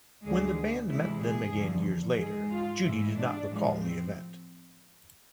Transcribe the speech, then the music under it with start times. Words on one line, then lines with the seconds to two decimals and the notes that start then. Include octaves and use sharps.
When the band met them again years later, Judy did not recall the event.
0.24 D2 D3 G#3 G#4
0.88 D2 C3 E3 G#3 E4
1.22 G#4
1.53 E2 D3 F3
2.18 G#2 G#3 G#4
2.52 F4
2.84 G#2 E3 G#3 E4
3.16 D4
3.48 A2 F3 G#3
3.81 C4